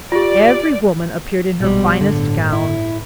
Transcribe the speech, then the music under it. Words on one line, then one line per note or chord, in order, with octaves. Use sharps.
Every woman appeared in her finest gown.
F4 G4 D5
A#1 B2 G3 G#3
G1 A2 D3
E4